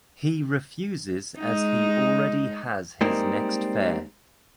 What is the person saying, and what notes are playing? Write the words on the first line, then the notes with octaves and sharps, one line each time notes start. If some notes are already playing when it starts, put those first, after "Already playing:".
He refuses as he already has his next fare.
G#3 D#4
G3 G#3 A#3 C4 D#4 A#4